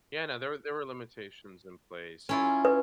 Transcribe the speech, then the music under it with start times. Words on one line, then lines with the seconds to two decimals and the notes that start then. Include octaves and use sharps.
Yeah, no. There were there were limitations in place, and,
2.29 C#4 E4 F4
2.65 B4